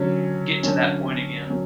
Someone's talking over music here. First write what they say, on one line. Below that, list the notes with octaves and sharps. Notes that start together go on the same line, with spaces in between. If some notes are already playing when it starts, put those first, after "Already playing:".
get to that point again."
Already playing: D3 F#3 C#4
D3 F#3 C#4
F#3 C#4